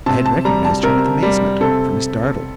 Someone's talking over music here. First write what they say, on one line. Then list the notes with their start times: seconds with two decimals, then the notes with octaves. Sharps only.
I had recognized her with amazement, for Miss Dartle.
0.06 C3 A5
0.26 A5
0.45 G3 A#5
0.65 A5
0.83 C3 A#4
1.22 G3
1.61 C3 A4